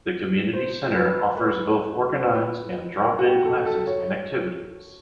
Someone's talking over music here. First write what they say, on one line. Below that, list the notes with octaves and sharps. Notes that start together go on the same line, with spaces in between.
The community center offers both organized and drop-in classes and activities.
C5
B4
B4
C5
B4
A#4
F#4
G4
A4
A4
C#5